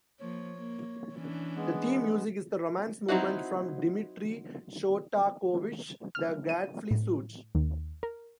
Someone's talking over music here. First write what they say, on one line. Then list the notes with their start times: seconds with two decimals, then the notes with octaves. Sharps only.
The theme music is the Romance movement from Dmitri Shostakovich's "The Gadfly Suite".
0.20 F3 A#3 C#5
0.56 A#3
1.14 E3 C#4 D4
1.56 G#3 B3
3.08 F#3 C4 D#4 E4 F#4
6.15 F6
6.49 D#7
6.91 A2
7.55 D#2
8.03 A#4